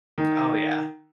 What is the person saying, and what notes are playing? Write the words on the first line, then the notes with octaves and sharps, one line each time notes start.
Oh, yeah.
D#3